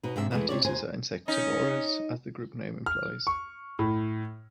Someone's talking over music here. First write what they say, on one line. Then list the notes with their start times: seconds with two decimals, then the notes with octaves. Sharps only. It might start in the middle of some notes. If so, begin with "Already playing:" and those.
Gnateaters are insectivorous as the group name implies.
0.03 B2 D#4
0.16 G#2 C3 D4 E5
0.31 E2 E3 F3 G#3 A3
0.49 C3 C#5 D5
0.65 D#2 C5 G#5
1.28 C#4 D#4 C#5 D#5
2.86 F6
3.27 C#6
3.79 A2